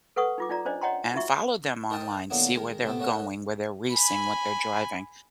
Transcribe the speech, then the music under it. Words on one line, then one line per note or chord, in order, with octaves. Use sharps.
and follow them online, see where they're going, where they're racing, what they're driving,
A4 B4 F#5 C#6 D#6
D#4 F4 D6
D#4 F4 D5 A#5
C#4 D4 C5 D5 D#5
C#5 D#5 F#5 G5 A#5 C6
D#4 F4 F#4 E5 C#6
D#4 A#4 G5 A5 D#6
D3 F#3 A#3 B3 E4
D#3 G#3 A#4
C3 A3 B3 A4
A3 C#4 F#4 A#4 F#5
G#5 B5